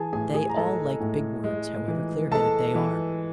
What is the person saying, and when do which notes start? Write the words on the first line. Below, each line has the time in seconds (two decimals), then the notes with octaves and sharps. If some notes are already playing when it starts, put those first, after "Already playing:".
They all like big words, however clear-headed they are.
Already playing: E3 G#4 G#5 A5
0.13 A2 G#4 G#5
0.34 G#4 G#5
0.49 A#5
0.57 G#3 A4 A5
1.00 A2
1.44 G#3
1.88 E3
2.31 G#3 A4 A5
2.75 E3